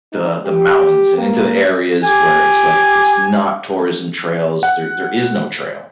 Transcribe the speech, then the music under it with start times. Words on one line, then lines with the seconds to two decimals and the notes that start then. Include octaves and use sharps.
the, the mountains and into the areas where it's like it's not tourism trails, there there is no trail.
0.12 D#4
0.45 G4
1.18 A#3
2.04 G4 G#5
4.63 F#5